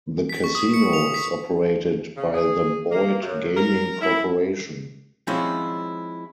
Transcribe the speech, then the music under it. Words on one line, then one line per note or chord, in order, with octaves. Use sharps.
The casino is operated by the Boyd Gaming Corporation.
B6
C#6
D#6
C#7
F7
B6
C#3
G#4
A#3
F#2
A#4
E4
F3 G#3 C4 C#4 E4